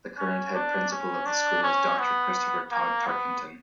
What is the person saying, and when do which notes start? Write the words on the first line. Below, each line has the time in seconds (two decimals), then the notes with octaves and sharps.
The current head principal of the school is Doctor Christopher Todd Tarkenton.
0.18 C#4
0.54 D4
0.91 C#4
1.26 D4
1.63 C#4
1.99 B3
2.71 A#3
3.07 B3